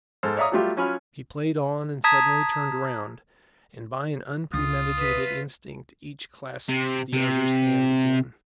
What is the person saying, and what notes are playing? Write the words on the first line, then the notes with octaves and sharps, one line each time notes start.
She played on and suddenly turned round; and by an unpremeditated instinct each clasped the other's hand again.
G#2 G#3 A4 C5 F6
C#5 D5 E5 F5 A#5 D#6
F#3 G3 A3 F4 G4
F#3 C#4 F4 G#5 B5 F6
A5 A#5 D#6 G#6 B6
C#2 F4 D#6
B4 E5
C3
C3